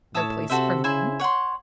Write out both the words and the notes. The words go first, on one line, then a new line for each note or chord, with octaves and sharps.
No place for men?
A2 C#5 E5 A5 D#6
C3 F#4 A4 C5 E5
C#3 E4 C5 E5 G#5
C#5 F#5 C6